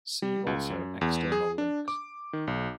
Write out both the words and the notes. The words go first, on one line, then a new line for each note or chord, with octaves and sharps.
See also External Links.
G3
C#2
F#2
E2
G#4
D4
D6
D#3
B1